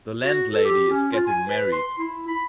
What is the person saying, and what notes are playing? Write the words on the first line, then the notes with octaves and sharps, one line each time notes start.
The landlady is getting married.
F#4
A4
G4
C#4
F4
G#5
B4
C6
E4
B5